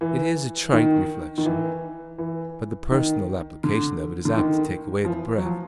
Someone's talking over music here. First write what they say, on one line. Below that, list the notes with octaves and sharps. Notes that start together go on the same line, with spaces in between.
It is a trite reflection, but the personal application of it is apt to take away the breath.
E3
D#3
D#3
E3
E3
D#3
D3
D3
D#3
F3
E3
F#3
F3